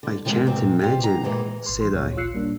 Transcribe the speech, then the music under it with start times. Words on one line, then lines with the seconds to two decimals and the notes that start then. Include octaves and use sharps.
"I can't imagine," said I.
0.03 D3
0.25 C3 D#3 F3 F#3 G#3 A#3
0.46 E2 A#2 C4
0.79 F4 G4 C5
1.00 E2 A#5
1.23 D2 A#2 E3 G#3
1.66 G#1 C6
1.81 E3 C6
1.93 D2 A#2 C#5
2.16 A1 F4 E6 F#6 C7 C#7
2.33 A#2 G3 A#3 D4